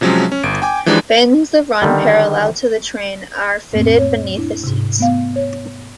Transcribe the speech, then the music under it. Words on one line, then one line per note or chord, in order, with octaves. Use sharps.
Fins that run parallel to the train are fitted beneath the seats.
C3 F3 F#3 G#3 C#4
C#4
G1 D7
G5 G#5 D6
E3 F3 G#3 D4 D#4 G4
D3 D#3 G3
F2 A2 A3 A#3 C4
C#5
D4 E4
G#2 C3
A3 B3 F5
C#5